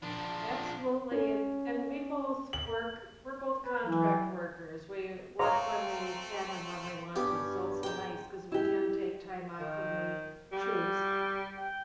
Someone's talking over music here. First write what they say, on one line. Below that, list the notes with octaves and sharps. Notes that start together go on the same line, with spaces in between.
Absolutely. And and we both work we're both contract workers. We work when we can and when we want to. So it's so nice 'cause we can take time off when we choose.
F3 D4
C#4
F#7
B4
E3 F#3 E4
A3 C4 C#5 F5 A#5 C#6
G2 B3 C#4 G4
G#2 G5
E4 G4
D#3
G3
G5